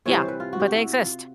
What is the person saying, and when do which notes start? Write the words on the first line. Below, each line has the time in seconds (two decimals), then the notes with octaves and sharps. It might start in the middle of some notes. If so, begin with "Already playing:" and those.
Yeah, but they exist
0.06 C3 E3 G3 C#5
0.17 C5
0.28 B4
0.40 F4
0.53 F#4
0.60 G4
0.67 F#4
0.75 E4
0.99 F4